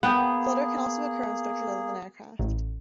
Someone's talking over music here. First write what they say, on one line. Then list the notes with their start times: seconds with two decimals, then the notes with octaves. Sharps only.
Flutter can also occur on structures other than aircraft.
0.03 A#3 B3 G#4 F#5 G5
2.39 A1